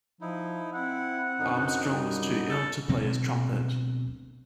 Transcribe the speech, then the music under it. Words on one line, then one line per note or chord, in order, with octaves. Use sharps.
Armstrong was too ill to play his trumpet.
F3 D#4 E4
C4 E4 F#5
F#2 D3 D#4
G3
A4
D2 B2 F#3 C4